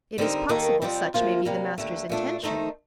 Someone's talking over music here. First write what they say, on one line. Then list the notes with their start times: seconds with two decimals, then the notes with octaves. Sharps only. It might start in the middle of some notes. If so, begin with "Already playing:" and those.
"It is possible such may be the master's intention."
0.18 D3 G3 C4 D#4 A#4
0.49 D#2 D#3 A#3 D#4 A4
0.82 F2 C3 G3 C4 G4
1.14 D2 C3 F3 A#3 F4
1.45 C3 G3 A#3
1.78 D#2 D3 A3
2.09 A#2 A3 D4
2.42 D#3 A3 D#4 A4 C5